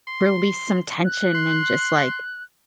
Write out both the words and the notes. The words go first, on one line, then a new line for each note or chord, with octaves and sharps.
release some tension and just, like,
C6
F#6
C6